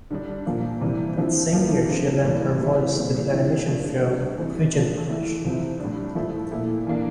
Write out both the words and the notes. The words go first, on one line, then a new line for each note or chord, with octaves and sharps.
That same year she lent her voice to the animation film "Agent Crush".
D3 G3 D4
A#2 F3 A#3
C3 E3 G3
D3 F3 C4 E4
F3 A#3 E4
D3 A3 C4
A2 E3 G3 A#3
E3 A3 C4 E4
A#2 G3 C4
D3 F3 C4 E4
F3 A3 D4
C3 G3 D4
E3 A3 C4 E4
F3 A3 D4
E3 A3 E4
C3 F3 C4 E4
A2 G3 D4
F3 A3 E4
A#2 A3 E4
E3 A#3 D4